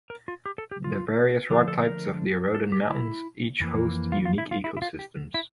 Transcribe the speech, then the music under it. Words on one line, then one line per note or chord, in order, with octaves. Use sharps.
The various rock types of the eroded mountains each hosts unique ecosystems.
A#4
F4
G4
A4
G4
F4
D3 F3 A3 D4 G4
A4
A#4
A4
G4
E4
F2 E3 A#3
F4
F4
E4
F4
E4
E4
F4
G4
E4